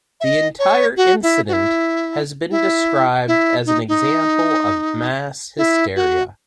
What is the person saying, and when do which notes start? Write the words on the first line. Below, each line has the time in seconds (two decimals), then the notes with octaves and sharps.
The entire incident has been described as an example of mass hysteria.
0.21 E5
0.24 D#5
0.59 C#5
0.97 F#4
1.23 E4
1.48 F#4
1.53 E4
2.51 E4
3.28 E4
3.66 D#4
3.88 D#4
5.58 E4
5.96 F#4